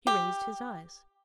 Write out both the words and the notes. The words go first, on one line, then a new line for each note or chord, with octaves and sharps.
He raised his eyes.
G4